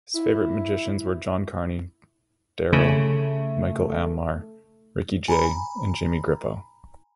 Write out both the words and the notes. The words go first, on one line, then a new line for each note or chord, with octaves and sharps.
His favorite magicians were John Carney, Daryl, Michael Ammar, Ricky Jay and Jimmy Grippo.
E4
C#3 A3
G#5 A#5 B5